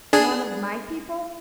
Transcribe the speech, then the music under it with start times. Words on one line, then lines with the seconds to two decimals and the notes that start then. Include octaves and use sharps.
'None of my people?
0.13 D4 G#4 G#5